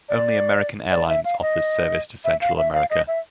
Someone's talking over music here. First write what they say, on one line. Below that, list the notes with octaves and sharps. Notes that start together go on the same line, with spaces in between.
Only American Airlines offers service to Central America.
D5
D5
E5
F5
D#5
E5
F5
E5
F5
D#5
E5